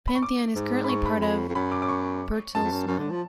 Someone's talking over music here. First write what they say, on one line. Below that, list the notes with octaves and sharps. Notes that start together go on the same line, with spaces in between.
Pantheon is currently part of Bertelsmann.
B5
C#6
D6
G#2
B5
C#6
B5
F#2
F2 B5
F2
F#2 B5
D6
D6
C#6
F#2 A5
F2
F#2
F#2
D3
F3